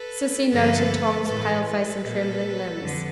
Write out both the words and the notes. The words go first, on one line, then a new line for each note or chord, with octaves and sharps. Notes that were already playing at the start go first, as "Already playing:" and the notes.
Sissy noted Tom's pale face and trembling limbs.
Already playing: A4 B4
G2 D3 F3 A3 A4 B4
A2 E3 G#3 A4 B4
A4 B4
A#2 F#3 A#3
F2 D3